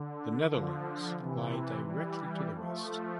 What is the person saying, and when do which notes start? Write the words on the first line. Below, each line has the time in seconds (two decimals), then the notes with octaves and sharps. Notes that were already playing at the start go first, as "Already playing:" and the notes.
The Netherlands lie directly to the west.
Already playing: D3
0.51 D3 F3
1.19 C3 E3
1.87 E3 G3
2.55 F3 A3